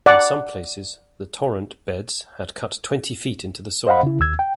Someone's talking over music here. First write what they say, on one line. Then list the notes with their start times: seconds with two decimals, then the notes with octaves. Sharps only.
In some places the torrent beds had cut twenty feet into the soil.
0.06 D5 F#5
3.87 C5 D#5 F5 F#5 B5
4.03 C#3 E4
4.20 D#2 E6 G#6
4.39 G5